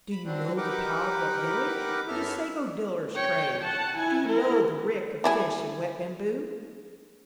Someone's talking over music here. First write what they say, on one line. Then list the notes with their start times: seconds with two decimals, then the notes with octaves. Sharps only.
Do you know the pile-built village, where the sago-dealers trade-- Do you know the reek of fish and wet bamboo?
0.12 B5
0.25 D3 F#3 C4 D4
0.57 D#4 G4 A#4 B4 F#5 D6
2.08 F#2 F#3 B3 A4 E5 F6
3.15 C#5 G5
3.62 F#5 A5
3.98 E4 G#5
4.27 E4 A#4
5.24 G3 E4 G#4